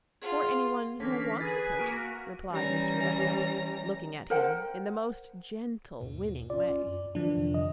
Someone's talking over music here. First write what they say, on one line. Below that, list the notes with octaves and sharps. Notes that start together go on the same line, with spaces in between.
"For any one who wants a purse," replied Miss Rebecca, looking at him in the most gentle winning way.
F4 G#4 F#5
D3 E3 A#3 C#4 D4 B6
G#4 B4 G#5 A6
A#3 F#4 A#4 B6 D7 D#7
E3 G3 C#4 A#5
A#4 C5 F#5 G5
D#2 G#2 B2
C#4 F4 D5
F#2
D3 E3 F3 D4
F2 C3 D#3
D#5